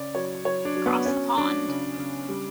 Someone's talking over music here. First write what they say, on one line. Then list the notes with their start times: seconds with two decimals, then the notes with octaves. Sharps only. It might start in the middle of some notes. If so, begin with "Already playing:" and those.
Across the pond.
Already playing: C#3 D5
0.15 F#3 C#5
0.45 F#3 C#5
0.65 D4
0.76 F#3
0.86 B3
1.06 F#3 C#4
1.37 F#3 D4
1.68 C#3
1.98 C#3
2.29 G3